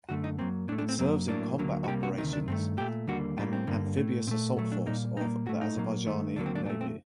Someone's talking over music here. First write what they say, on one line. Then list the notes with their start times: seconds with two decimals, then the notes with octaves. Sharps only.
It serves in combat operations an amphibious assault force of the Azerbaijani Navy.
0.09 F#2 D3 A3 F#4
0.24 D#4
0.38 F#2 F#3 A#3 C4
0.68 A2 D4
0.72 A3
0.78 D4
0.89 C4
0.99 F#2 F#3 A#3 C4
1.28 A2 F#3 A#3 D4
1.58 D2 D3 F#3 A#3
1.84 F#4
1.88 C2 C3 G3 A#3 G4
2.03 F#4
2.18 D2 C3 D#3 D#4
2.33 D4
2.48 G2 D#3 A3 C4
2.77 A#2 A3 G4
3.07 D#2 D3 G3 A#3 F#4
3.37 A2 G3 A#3 D4
3.53 C4
3.67 G2 D3 G3 A#3
3.97 A2 A3
4.27 A#2 C4
4.31 A3
4.57 A#2 F#3 A3
4.72 D4
4.86 A#2 G3 A#3 D#4
5.16 A#2 G3 A#3 D#4
5.46 A2 A3 F#4
5.61 D#4
5.76 A#2 F#3 A#3
6.06 G2 D#3 A3
6.36 D#2 D3 F#3 A#3 D4
6.46 C4
6.55 D4
6.66 A#2 D4
6.70 A3
6.81 C4